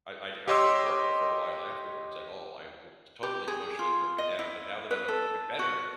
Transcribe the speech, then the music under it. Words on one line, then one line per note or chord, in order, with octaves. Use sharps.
I I di I couldn't work for a while afterwards at all I was it totally emotionally broken down, but now that I'm o better,
G4 C#5 D#5 C6 D6 E6
G4
G#4
F4
D#5
E4
B4
A4
F#4